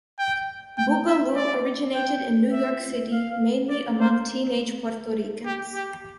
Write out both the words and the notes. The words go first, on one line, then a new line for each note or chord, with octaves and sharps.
Boogaloo originated in New York City mainly among teenage Puerto Ricans.
G5
G5
E5
D5
G5
E5
F5
D5
C5
G4
G4